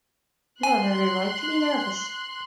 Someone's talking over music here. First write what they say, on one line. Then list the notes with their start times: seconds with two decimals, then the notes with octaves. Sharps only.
You have every right to be nervous.
0.63 G#5 C6 F#6